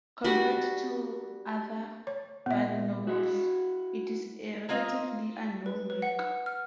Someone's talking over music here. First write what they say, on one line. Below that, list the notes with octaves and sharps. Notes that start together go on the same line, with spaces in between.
Compared to other Verne novels, it is a relatively unknown work.
G3 D4 F#4
C#5
A#2 B3 E5
E4 F#4
A#3 C4 F4 D#5 F5
B4
B4
F#5
F6